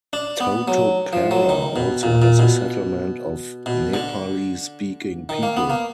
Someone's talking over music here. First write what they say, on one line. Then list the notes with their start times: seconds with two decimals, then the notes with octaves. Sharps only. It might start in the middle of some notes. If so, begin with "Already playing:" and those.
Totopara also has a settlement of Nepali-speaking people.
0.13 D4
0.40 B3
0.68 F#3
1.13 F3
1.31 F#3
1.49 D#3
1.76 B2
2.03 A#2
2.22 A#2
2.39 B2
3.66 B2
3.94 D3
5.29 D#3
5.43 A#3
5.57 B3
5.70 A#3